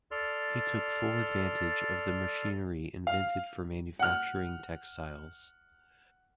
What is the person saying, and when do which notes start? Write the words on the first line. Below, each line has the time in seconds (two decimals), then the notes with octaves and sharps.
He took full advantage of the machinery invented for manufacturing textiles.
0.11 A4 D5 C6 F6
3.07 F5
3.99 F#5 F6